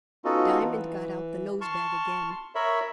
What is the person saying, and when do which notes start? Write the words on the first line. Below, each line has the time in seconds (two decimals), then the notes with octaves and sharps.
Diamond got out the nose-bag again.
0.25 B3 C#4 D#4 F4 F#4 A4
0.60 E3
1.61 A5 C6 C#6 F6
2.55 A#4 C#5 E5 B5